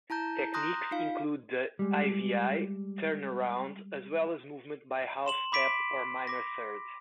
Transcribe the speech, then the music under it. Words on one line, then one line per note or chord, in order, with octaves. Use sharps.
Techniques include the ii-V-I turnaround, as well as movement by half-step or minor third.
E4 A5 A#5 G6
A#5 C6 D#6 F#6 G6 A#6
D#4 F4 F5
G3 G#3
C6 E7 F#7
B5 D6 B6 D7
D6 A#6